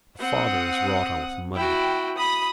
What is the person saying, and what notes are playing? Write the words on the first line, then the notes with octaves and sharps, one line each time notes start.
The father is rotto with money.
C4 F#5 D#6
E4 F#4 G5
B5 D#6